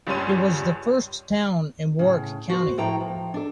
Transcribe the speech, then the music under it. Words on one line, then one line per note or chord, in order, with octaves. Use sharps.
It was the first town in Warrick County.
C#2 G2 G3 C#4 C6 D#7
A2 C#3
F#4 C5
A2 F3 E4 A4 G5 A#5
F3
D4 A4